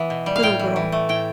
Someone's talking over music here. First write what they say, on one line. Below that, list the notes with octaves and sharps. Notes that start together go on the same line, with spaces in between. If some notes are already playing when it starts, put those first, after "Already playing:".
Little girl.
Already playing: E3 B3
B2
G3
F5
A2 G5
E3
E3
A3
A2 G5